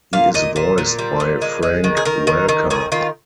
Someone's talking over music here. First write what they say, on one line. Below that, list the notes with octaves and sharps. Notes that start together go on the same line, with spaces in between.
He is voiced by Frank Welker.
A#2 F5
A#2 D#5
A#2 C5
A#2
G3
A#2
G#3
G#3
D#3
G#4
D#3 A#4
D#3
D#3
D#3 G#4
D#3 F4